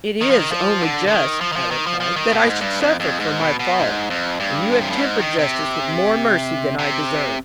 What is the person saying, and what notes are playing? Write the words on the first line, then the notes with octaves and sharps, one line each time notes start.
"It is only just," I replied, "that I should suffer for my fault, and you have tempered justice with more mercy than I deserve."
D#3
F3
D#3
F3
D3
D3
D#3
F3
D#3
F3
D#3
F3
F3
D#3
B2
G#2
G2
F2
F2
G#2
B2
B2
G#2
F2
G2
D3
C3
B2
G#2
D#3
C3
C3